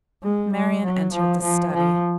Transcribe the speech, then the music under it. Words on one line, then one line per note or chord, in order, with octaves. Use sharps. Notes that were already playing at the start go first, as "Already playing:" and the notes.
Marian entered the study.
G#3
G3
F#3
F3
F3
F3